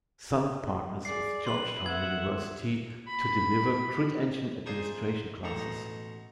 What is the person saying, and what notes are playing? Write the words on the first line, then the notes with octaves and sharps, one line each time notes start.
Sun partners with Georgetown University to deliver Grid Engine administration classes.
G#4 D5 C7
B4 C6 F#7
E5 F#5 G#6
B5
D4 D#4 F4 G#4 C5 G#5
A1 B2 D#4 A4 A#5